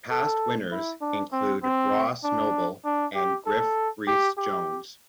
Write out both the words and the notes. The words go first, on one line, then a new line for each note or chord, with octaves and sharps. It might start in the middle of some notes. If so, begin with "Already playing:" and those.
Past winners include Ross Noble and Griff Rhys Jones.
A4
E4
D4
C4
C4
D4
D4
G4
A4
G4
G4